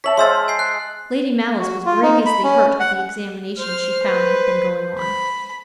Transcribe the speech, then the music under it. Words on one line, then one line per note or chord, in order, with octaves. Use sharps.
Lady Malice was grievously hurt at the examination she found had been going on.
C#5 E5 A5 B6 F#7
G#3 C5 F5 C6 E6 A6
G#5 C7
F#6
F#4
F4
D#4
B5
C#4
F#5
C5 F6
B4
B5